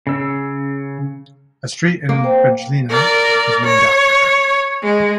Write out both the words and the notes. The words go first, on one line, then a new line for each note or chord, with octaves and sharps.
A street in Bijeljina is named after her.
C#3 E6
A#3
C5 G5
A#4 D5
C#5
G#3